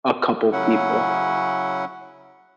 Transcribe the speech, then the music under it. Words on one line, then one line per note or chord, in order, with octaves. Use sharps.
a couple people,
C#3 F#3 C#4 E4 F#5